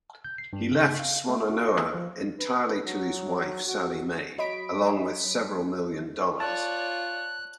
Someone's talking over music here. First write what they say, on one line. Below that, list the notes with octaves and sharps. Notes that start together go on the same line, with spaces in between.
He left Swannanoa entirely to his wife, Sally Mae, along with several million dollars.
G6
C7
G2
C#3
F5
A3
F#4
D#5
F3
B4
F#3
F#4
F#3 C#5 D#5 B5 B6 D7
F4 C#5 D5 A5 F#6